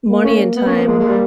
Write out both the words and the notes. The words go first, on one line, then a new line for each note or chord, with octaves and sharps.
money and time,
A#3
C#4
A#3 B3
C#4
B3
G#3
G#3
G3